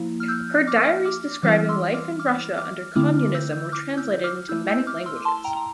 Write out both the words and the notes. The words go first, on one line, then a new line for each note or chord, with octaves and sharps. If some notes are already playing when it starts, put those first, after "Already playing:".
Her diaries describing life in Russia under communism were translated into many languages.
Already playing: F3 A#3 E4
F6
E6 G6
D6 F6
D6 F6
E3 G3 C4 E4 D6 F6
C6 E6
D6 F6
D6 F6
D6 F6
D3 A3 C4 E4 D6 F6
E6 G6
D6 F6
E6 G6
D6 F6
A3 E4 E6 G6
E6 G6
D6 F6
C6 E6
A5 C6
G5 A#5
A#5